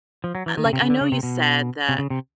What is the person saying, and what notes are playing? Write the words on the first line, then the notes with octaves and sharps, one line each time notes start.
like I know you said that
F3
F#3
E3
D#3
C#3
C3
C#3
D3
C#3
C3
B2
C3
C#3
C3